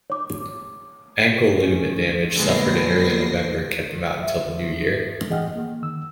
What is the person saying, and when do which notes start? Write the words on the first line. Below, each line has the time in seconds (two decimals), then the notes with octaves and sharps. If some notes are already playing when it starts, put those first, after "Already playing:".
Ankle ligament damage suffered in early November kept him out until the new year.
0.10 C#5 D6
1.52 C#4
2.36 A#2 D3 G3 G#3 B3 A#6 C7
4.23 E5
5.30 E3 G#4 D#5 F#5 G5 F6
5.55 A#3
5.82 D#3 E6